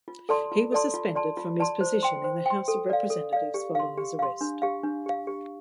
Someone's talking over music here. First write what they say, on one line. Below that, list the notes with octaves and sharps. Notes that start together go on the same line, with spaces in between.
He was suspended from his position in the House of Representatives following his arrest.
F4
A4 D5 A5 C6
F4
A4 D5 A5 C6
F4
D5 A5 C6
F4
D5 A5 C6
C5
G5 C6
C5
G5 C6
A4
D5 F5
A4
D5 F5
G4
F5 C6
G4
F5 C6
D4
G4 F5
D4
G4 F5
G4